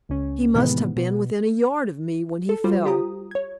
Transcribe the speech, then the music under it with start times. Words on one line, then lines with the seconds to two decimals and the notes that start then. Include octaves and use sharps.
He must have been within a yard of me when he fell.
0.09 C#2 C#4
0.54 A2 C3 D#3 E3 G#3 B3
0.96 B2
2.49 A4
2.64 G3 F4 F#4 C5
2.85 F4 G4 A#5 D#6
3.31 C#5 G#6